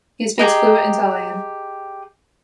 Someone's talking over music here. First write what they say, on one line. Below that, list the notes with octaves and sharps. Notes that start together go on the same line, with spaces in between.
He speaks fluent Italian.
G4 G#4 D#5 A#5